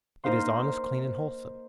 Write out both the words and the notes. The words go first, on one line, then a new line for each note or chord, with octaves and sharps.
It is honest, clean, and wholesome.
A#3 D#4 C5 F5 C6